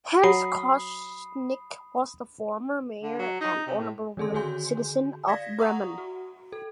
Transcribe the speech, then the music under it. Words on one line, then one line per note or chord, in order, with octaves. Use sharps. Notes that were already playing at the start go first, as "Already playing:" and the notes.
Hans Koschnick was the former mayor and Honorable citizen of Bremen.
F#3 B5 D#6 C7
D3
F#3
D#4
C3
A2
D3 D#3 G#4 A4 C6
D3 F#4 G#4 G#5 C6 G6
D5 F5 G#6 A#6 B6
F#5 A#5 C#6 D#6
F#4
A4